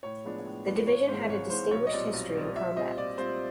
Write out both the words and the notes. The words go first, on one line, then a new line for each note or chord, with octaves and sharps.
The division had a distinguished history in combat.
A2 C#5
F3 G#3 B3 D4
A2
F3 G#3 B3 D4
G#1 C#5
G#2 E3 G#3 C4 C5
G#1 C#5
G#2 E3 G#3 C4 C5
B1 C#5
D#5
A#2 G3 C4 D5
B1
A#2 G3 C4
A#2 E5
G3 C4 F4 D#5
A#2 D5
G3 C4 F4 C5